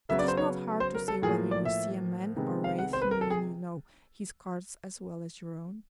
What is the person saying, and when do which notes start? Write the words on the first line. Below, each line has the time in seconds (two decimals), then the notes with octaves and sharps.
It is not hard to say whether you see a man or raise him when you know his cards as well as your own.
0.09 C#3 F#3 B3 E5
0.19 D5
0.28 C5
0.37 C#5
0.80 C5
0.95 A#4
1.08 A4
1.22 A2 F3 A#3 G#4
1.51 D5
1.65 E5
2.36 C3 D#3 G#3 B3
2.64 F5
2.79 F#5
2.93 C5
3.02 B4
3.11 A#4
3.21 A4
3.30 G#4